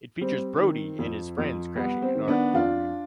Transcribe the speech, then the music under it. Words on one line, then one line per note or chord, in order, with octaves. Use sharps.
It features Brody and his friends crashing an art gallery.
G3 C4
D#3
F2
F2
G3 B3
C4
D#3
B3 D4
F2 D4 F4